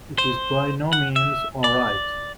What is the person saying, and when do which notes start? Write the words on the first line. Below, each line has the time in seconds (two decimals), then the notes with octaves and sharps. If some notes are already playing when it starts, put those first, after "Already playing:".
It is by no means all right.
0.18 C5
0.93 F#5
1.16 E5
1.64 D5